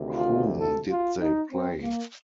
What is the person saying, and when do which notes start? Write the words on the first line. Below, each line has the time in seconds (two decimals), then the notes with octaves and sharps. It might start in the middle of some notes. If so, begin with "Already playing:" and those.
Whom did they play?
Already playing: D2 C3 D#3
0.15 F4
0.60 A4
0.91 F4
1.21 D#4
1.51 C4
1.82 A#3